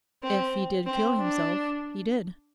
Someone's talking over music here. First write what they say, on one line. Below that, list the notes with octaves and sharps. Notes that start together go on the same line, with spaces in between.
If he did kill himself, he did.'
C4
C4
D4